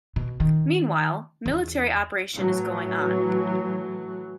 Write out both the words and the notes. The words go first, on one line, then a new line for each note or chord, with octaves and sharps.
Meanwhile, military operation is going on.
B2
D#3
E2
A2 E3 F#3